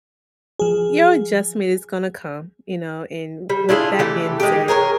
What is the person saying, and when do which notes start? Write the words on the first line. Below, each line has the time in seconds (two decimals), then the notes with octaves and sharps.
your adjustment is gonna come, you know, and with that being said,
0.59 F3 G#4
3.50 G3
3.69 D4 E4 F4 G#4
3.99 E3 A3 G4
4.40 G#3 G4
4.68 G#4 A#4 B4 C#5